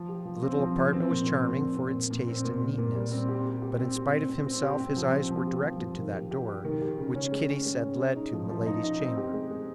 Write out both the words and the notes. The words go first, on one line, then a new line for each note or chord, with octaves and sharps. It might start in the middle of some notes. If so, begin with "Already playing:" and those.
The little apartment was charming for its taste and neatness; but in spite of himself, his eyes were directed to that door which Kitty said led to Milady's chamber.
Already playing: F3
G4
F3
C4
F3
F3
C4
A#2
C4
A#2
C4
C4
A#2
A#2
C4
A#2
A#2
A#2
G3
C4
G4
G4
G4
C4
G4
C4
C4
C4
G4
C4
F3
C4
F3
G4
F3
F3
D#3
G4
G4
G4
D#3
G4
C#3
C#4
G#3
C#4
G#3
C#4
G#4
D#4
F3
F3
D#4
D#4
C4
G4
G#3
G#3